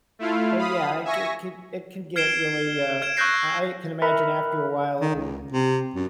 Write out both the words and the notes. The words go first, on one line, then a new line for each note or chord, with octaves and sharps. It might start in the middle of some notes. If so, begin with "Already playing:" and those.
But, yeah, it could could it can get really, uh I I can imagine after a while it would
A3 E4 F4 F5
F5 B5 D#6
E5 G#5 C#6 A#6
F6 G#6 C7 D7 E7 G7
F6 G#6 D7 E7
C#6 E6 F#6 G6 A#6 C7
A#4 B4 E5 A#5 B5
D#3
C#2
C3
F#2